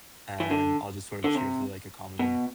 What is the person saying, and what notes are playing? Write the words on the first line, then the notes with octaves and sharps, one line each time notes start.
and I'll just sort of cheer for like a common
E3
D3
D3
C3
B2